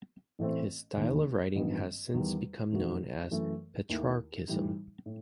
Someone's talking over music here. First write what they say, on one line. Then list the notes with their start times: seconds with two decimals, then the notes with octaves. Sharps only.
His style of writing has since become known as "Petrarchism".
0.39 A1 A2 E3 A3 C4
0.96 E1 D#2 D#3
1.55 A1 G2 D#3 F#3 B3
2.14 E2 D#3 G3
2.72 E2 B2 A3 D#4 F#4
3.31 F#2 E3 A3
3.89 D#2 D#3 A3 E4
4.48 A2 E3 G3 D#4
5.06 A2